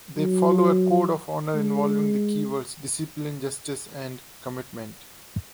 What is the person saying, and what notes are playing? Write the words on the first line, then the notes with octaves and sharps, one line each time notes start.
They follow a code of honor involving the keywords "discipline", "justice" and "commitment".
F#3
G#3